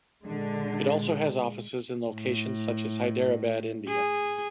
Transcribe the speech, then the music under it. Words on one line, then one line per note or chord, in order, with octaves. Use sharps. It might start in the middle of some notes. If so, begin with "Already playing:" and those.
It also has offices in locations such as Hyderabad, India.
A#2 D3 G#3
A2
G#4